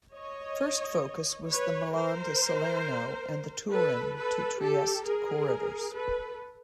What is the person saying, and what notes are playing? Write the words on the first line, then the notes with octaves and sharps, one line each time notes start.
First focus was the Milan to Salerno and the Turin to Trieste corridors.
C#5 D#5
B4 C#5
A#4 C5
A4 B4
A4 B4
G4 A4
G#4 A#4
A4 B4